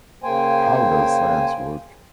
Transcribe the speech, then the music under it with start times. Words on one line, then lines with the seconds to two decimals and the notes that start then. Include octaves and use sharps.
How does science work.
0.23 C#3 A#3 C5 G5 G#5